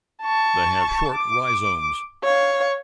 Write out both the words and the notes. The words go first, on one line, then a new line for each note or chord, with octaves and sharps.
They have short rhizomes.
A5 C#6
D6
C#5 F5